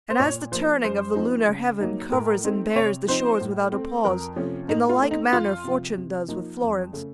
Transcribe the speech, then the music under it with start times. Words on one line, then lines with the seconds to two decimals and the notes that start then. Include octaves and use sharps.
And as the turning of the lunar heaven Covers and bares the shores without a pause, In the like manner fortune does with Florence.
0.10 C5
0.20 A#2 C#5
0.52 F3 A#3 C5
0.84 F#2 C5
1.15 F3 C4 D#4
1.48 C#3
1.80 F#3 A#3 D#4
2.12 A2 A#4
2.44 A3 C4 D#4
2.76 C3 C#5
3.08 F3 C4 D#4 C5
3.41 A2
3.72 A3 C4
4.04 F2 A#4
4.36 C3 F3 A3 C#4
4.68 A2 D#4
4.89 F4
5.00 A3 C4 D#4
5.11 D#4
5.32 F2 F4
5.64 C3 F3
5.97 C3
6.28 F3 A#3 D#4
6.61 F2
6.93 C#3 A3